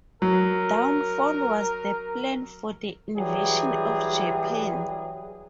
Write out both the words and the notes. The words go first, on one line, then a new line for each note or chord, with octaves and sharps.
Downfall was the plan for the invasion of Japan.
F#3 A#4
E3 F#3 G3 G4 G#4